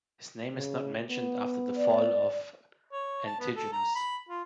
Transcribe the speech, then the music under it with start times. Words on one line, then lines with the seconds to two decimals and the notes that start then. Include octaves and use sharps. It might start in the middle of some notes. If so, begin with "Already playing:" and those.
His name is not mentioned after the fall of Antigonus.
0.54 C#3
1.08 B3
1.77 D5
2.92 C#5
3.26 A5
3.40 B3
3.55 A4
3.72 A#5
3.95 B5
4.29 F4